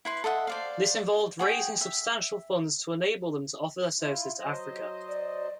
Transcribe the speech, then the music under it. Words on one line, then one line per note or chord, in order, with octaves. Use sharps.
This involved raising substantial funds to enable them to offer their services to Africa.
E4 B4 C6
A4 D#5 E5 F#5
C5 D5 F5
F#4 G#4 G5
E5
E4 F4
F#3 C5 D#5
D5